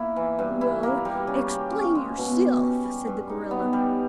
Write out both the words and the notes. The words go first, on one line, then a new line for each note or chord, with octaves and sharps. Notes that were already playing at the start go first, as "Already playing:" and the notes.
"Well, explain yourself," said the gorilla.
Already playing: A#3 E4
E3
G2
E4
A#3
G3
C#3
G4
C#4
G#3
B2
G4
C#4
G3
G2
D#4
B3
G3